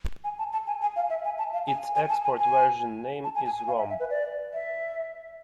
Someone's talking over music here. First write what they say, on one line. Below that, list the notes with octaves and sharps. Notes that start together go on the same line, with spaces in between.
Its export version name is Romb.
G#5
A5
A5
G#5
G#5
F5
E5
G#5
A5
F5
G#5
G#5
A5
G#5
G#5
A5
G#5
G#5
G#5
F5
E5
E5
B4
D5
E5